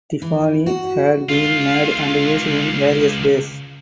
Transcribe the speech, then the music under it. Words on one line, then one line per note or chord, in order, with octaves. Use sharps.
Tiffany had been made and used in various ways.
E3
F#4
C#2 F4